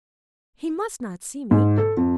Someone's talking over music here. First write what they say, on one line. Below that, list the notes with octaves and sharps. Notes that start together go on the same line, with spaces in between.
He must not see me.
G#2
A4
F2